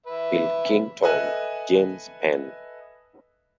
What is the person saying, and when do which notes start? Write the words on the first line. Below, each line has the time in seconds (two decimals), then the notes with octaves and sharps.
Pilkington, James Penn.
0.06 B4 E5
1.03 A4 B4 D#5 E5 G#5 F#6